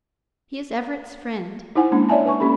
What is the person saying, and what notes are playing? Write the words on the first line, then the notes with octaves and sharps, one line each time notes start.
He is Everett's friend.
D#4 E4 C5 F#5 G#5
G#3 A#3 C#4 D4
C#5 D5 E5 G#5 A5
B4 G#5 C#6
A#3 C#4 G4 A4 B5